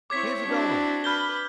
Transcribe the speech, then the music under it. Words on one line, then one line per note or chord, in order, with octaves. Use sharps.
Here's a dollar.
C4 E4 C#5 D6 G#6 B6
C4 D4 E4 F#4
B4 B5 F6 G6 G7